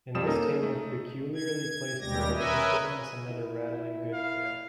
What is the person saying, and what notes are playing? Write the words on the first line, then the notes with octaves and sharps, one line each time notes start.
In this tale of peculiarly placed murder she's given us another rattling good tale.
F2 F3 G3 D#6 E7
A#3 C#4 D#4 A4 A#4
A3 D#4
G#6
D#2 C#3 G3 G#3 G4 A#6
C#4 A#4 B4 D#5 E5 G#5
E4
F5